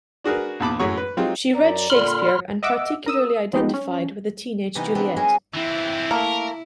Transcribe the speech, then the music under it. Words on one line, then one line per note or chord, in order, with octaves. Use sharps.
She read Shakespeare and particularly identified with the teenage Juliet.
D4 F#4 G#4 A#4 B4
A#1 E2 A5 B5 D6
F#2 A2 F#3 G#4 C#5 C#6
B4
F#3 G#3 C4 D#4 F4 G4
F#2 D5 A#5
A#2 D3 B5 C6 F6
D#5 E5 F#5 D6 E6
A#4 D#6 E6
F3 G#3 B3 D#4 G4
C#4
C3 E3 B3 D#4
B3 C4 D4
G#3 C4 C#4 F#4 G#4
E3 C4 E4
A3 A#3 A#4